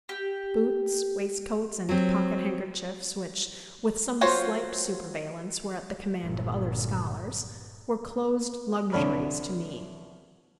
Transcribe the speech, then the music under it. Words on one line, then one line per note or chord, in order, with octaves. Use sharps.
Boots, waistcoats, and pocket-handkerchiefs, which, with some slight superveillance, were at the command of other scholars, were closed luxuries to me.
G4
F#3 C4
F#3 F4 C5 C#5
G1 A#2
C2 D3 D4 C#5 B5 F6